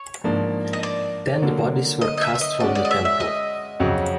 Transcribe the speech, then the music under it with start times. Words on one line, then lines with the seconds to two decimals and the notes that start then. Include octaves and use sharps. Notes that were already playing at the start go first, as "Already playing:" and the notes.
Then the bodies were cast from the temple.
Already playing: C#5
0.24 G#2 F3 A#3 D4
0.73 D#5
0.83 D5
1.42 D3 F#3 A#3
2.01 D#5
2.17 D#5
2.21 E5
2.35 E5
2.41 D#5
2.60 G#3 C#4 F#4 D5
2.75 D5
2.85 D#5
2.91 E5
3.05 E5
3.20 D#5
3.80 F2 C#3 F#3